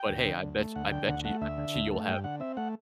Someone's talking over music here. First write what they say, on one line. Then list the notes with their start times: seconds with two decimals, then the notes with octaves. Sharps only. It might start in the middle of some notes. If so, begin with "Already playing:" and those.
But hey, I bet I bet you I bet you you'll have
Already playing: G5
0.09 D2
0.26 D3
0.43 D2
0.59 A3
0.76 D2 F#5
0.92 D3 G5
1.08 D2 F#5
1.25 A3 F#5
1.42 D2 E5
1.58 D3
1.74 D2
1.92 A3
2.08 G2 G5
2.24 D3 F#5
2.40 C4 E5
2.57 A3 F#5